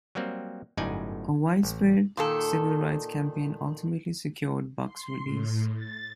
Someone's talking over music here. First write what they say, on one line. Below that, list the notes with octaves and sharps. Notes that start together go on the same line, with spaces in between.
A widespread civil rights campaign ultimately secured Buck's release.
F#3 G3 A#3 C4
G1 F#2 A2 D#4 D5 G#5
A1
A#2 D#3 A4
C6
A2
A6